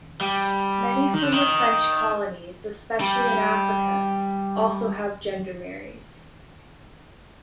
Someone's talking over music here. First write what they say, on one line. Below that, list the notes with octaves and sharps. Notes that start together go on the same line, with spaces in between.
Many former French colonies, especially in Africa, also have gendarmeries.
G3
D#3
D3
D#3
G3